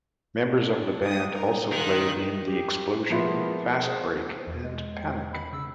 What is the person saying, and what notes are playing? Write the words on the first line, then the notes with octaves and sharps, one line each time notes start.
Members of the band also played in The Explosion, Fastbreak, and Panic.
D4
D#6
A#4
D#3 F4 F#6
G4
F3 G#3 A#3 B3 E4 F4
G#4 C5
E2
G#3
B5
C#3 E6